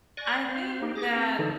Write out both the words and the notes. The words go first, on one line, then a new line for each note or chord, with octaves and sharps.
I think that
D5 G#5 C#6 F#6 A#6
C4 C5 F5
A#3 D#4 G4
G#4 D6 A#6
C4
D3 E3 D#4 A4